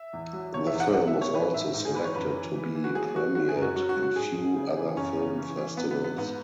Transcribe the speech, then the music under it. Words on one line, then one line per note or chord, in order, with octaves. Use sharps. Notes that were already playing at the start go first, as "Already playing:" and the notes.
The film was also selected to be premiered in few other film festivals.
Already playing: E5
E2
F#3
B2 C#5
E5
E2
F#5
F#3 F#5
E5
B2
C#5
E3 B4
G#2 E5
G#2
G#4
E3 B4
C#5
F#2 B4
E3
E3
E3
F#4
F#3 G#4
F#3 F#4
F#3 F#4
G#4
F#2
F#4
F#3 F#4
F#4
F#3
F#4
G#2 G#4
G#2
C#3
E3
F#2 C#4
C#3
E3
E3
E2 B3
B3
E2
B3
G#2 B3